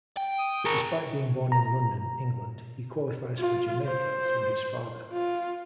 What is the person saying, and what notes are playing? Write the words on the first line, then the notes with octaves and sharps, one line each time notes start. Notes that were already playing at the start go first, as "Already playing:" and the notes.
Despite being born in London, England he qualifies for Jamaica through his father.
G5
D#6
G#4 A#4 C#6
A#5
F4
C5
F4